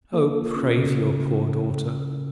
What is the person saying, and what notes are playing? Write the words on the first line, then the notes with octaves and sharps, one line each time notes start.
O pray for your poor daughter.
A#3 A4
F4
C#4
C#3
C#3